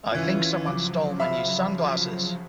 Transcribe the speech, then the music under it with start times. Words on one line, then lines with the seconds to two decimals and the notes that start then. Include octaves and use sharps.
I think someone stole my new sunglassses!
0.11 E3 C#4 F4
0.66 C#3 F3 F#3 D6
1.20 E5 F5 B5